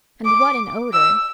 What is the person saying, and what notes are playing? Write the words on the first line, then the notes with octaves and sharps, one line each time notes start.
And what an odour!
D6
E6